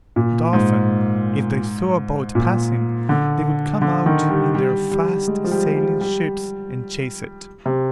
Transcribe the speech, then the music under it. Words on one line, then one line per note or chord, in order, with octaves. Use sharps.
And often, if they saw a boat passing, they would come out in their fast sailing-ships and chase it.
A#2
G#2
A#2
D3
D3
D#3
G3
G3
G3
G#3
F3
G3
G3
G3
C3